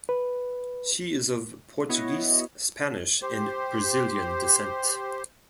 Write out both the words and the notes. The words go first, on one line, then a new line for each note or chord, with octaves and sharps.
She is of Portuguese, Spanish, and Brazilian descent.
B4
B3 E4 F#4 C#5 D#5
G4 C5